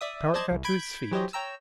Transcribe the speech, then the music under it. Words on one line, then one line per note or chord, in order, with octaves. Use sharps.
Powart got to his feet.
D5 E5 D#6
C5 D5 D#5 A5 G#6 A6
C2
B5 G6 G#6 D7
E3 F#3 G4 C5 C#5 D#5
C#5 G5 A#5 E6